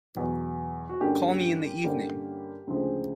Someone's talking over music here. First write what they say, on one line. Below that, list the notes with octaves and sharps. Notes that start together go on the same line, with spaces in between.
Call me in the evening.
E2 B2 F#3 B3
F#4
G2 D3 G3 A#3 C#4 G4
G2 D3 G3 A#3 C#4
D2 C#3 F3 G#3